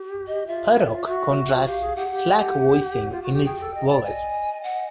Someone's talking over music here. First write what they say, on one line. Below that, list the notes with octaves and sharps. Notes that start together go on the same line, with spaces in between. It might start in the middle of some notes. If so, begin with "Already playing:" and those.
Parauk contrasts slack voicing in its vowels.
Already playing: G4
D#5
F4 E5
F#4
G4 F5
G#4
G4 F#5
G#4
G4
F4
F#4
G4
G#4 G5
A4
D#5
D5
D#5 G#5
F#5